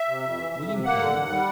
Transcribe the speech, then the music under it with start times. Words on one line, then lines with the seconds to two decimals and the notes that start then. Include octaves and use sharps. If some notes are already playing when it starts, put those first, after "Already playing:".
William Penn.
Already playing: E5
0.08 C3
0.23 F2
0.38 E3
0.54 F2
0.68 C3
0.84 A#3 F#5
0.99 D3
1.15 D#2
1.30 G3